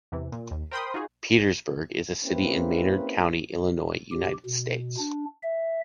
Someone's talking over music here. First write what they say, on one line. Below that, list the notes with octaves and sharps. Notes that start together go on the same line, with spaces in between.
Petersburg is a city in Maynard County, Illinois, United States.
E2 C3 E3
A#2
D#2
A#4 C5 G5 B5 C6 D#6
D#4 F4 F#4 G#4
A#3 C4 C#4 E4 G4 B4
G4
B2
D4
E5